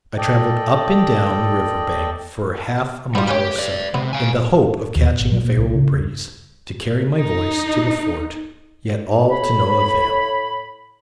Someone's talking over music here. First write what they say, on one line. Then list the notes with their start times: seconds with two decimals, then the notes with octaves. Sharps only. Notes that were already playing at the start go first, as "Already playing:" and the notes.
I traveled up and down the river bank for half a mile or so, in the hope of catching a favorable breeze to carry my voice to the fort, yet all to no avail.
0.18 A4 D5 D#5 G5
3.15 G3 B3 F4
3.28 G4 C#5 G#5 B5
3.58 B4 D5
3.94 C3 B3
4.13 F5 G#5
4.95 D#2
5.07 B2
5.19 G#1
5.32 F#3
5.44 A#2
5.57 C2
5.75 C#3
5.99 G2
7.16 D#4
9.29 A2 C#5 B5